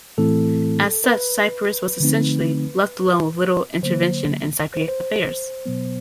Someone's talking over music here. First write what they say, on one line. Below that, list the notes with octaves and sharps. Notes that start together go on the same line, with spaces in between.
As such Cyprus was essentially "left alone with little intervention in Cypriot affairs".
A2 E3 A3 C4 E4 A4
A#4
B4
D3 F3 A3 C4 D#4
D3 F#3 A#3 C5
C5
B4
C5
B2 F#3 B3